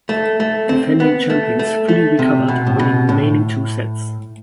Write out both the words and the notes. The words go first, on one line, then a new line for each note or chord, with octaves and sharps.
Defending champions fully recovered winning remaining two sets.
A3
A3
C4
B3
A3
A3
A3
C3
B2
A2
B2
A2